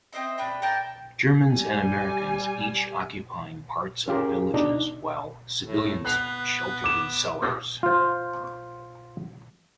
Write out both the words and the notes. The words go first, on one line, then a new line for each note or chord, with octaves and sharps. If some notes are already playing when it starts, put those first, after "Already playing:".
Germans and Americans each occupying parts of the villages while civilians sheltered in cellars.
C4 C5 D#5 E5
D4 B4 G5
A#4 D5 G5 A5
G3 G#5
C#4 F4 G4 G#4 A#4
B2 D4 D#4
A2
B3 F#6 C7 F7
D6 E7
F4 C5